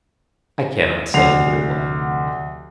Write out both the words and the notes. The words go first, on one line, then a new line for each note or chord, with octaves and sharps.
I cannot say, he replied.
F1 D2 F#5 C7 F7